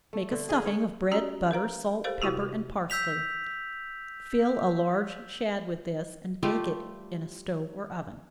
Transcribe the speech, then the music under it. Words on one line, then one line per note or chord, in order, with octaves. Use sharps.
Make a stuffing of bread, butter, salt, pepper and parsley; fill a large shad with this, and bake it in a stove or oven.
A3
D3
G#4
C#5
C#4 F#4 G4 D5 A#5
A#4 B4 F5 A#5
G4 A4 A#4 C5 F5
C3 E4 F#4 G4
E6 G6 B6 F7
G3 A3 F4 G4